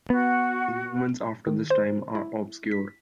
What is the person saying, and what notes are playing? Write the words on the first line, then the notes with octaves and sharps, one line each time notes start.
His movements after this time are obscure.
B3 F#4
D#3
C5
E4
B6